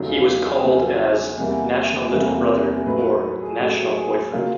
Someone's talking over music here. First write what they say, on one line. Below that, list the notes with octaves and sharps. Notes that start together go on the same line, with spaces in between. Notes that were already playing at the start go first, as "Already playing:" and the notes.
He was called as "National Little Brother" or "National Boyfriend".
Already playing: E2 C#3 F#3 A3 D#4
F4
G4
G#4
E2 C#3 F#3 A3 A4
E2 C3 E3 G3 A#3
E2 C3 E3 G3 A#3 A4
A#4
A2 F#3 A3 B4
A#4
A4
G#4
A2 F#3 A3 G4
G#4
C#3 F#3 A#3 F4